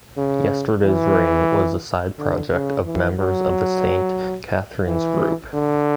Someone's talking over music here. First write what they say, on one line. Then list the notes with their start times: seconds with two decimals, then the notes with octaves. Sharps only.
Yesterday`s Ring was a side project of members of the Sainte Catherines group.
0.18 C#3
0.85 E3
2.18 D3
2.53 C#3
2.86 E3
3.19 F#3
4.87 E3
5.54 D3